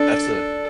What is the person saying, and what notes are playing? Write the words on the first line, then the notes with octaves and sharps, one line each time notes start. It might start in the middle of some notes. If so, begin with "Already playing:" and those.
That's a
Already playing: D4 A4